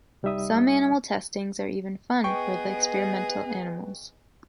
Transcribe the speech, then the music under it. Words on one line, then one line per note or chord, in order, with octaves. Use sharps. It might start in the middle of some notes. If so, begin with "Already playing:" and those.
Some animal testings are even fun for the experimental animals.
C2 G3 D#4 E5 D#6
B3 G#4 B4 D#5 G5 C#6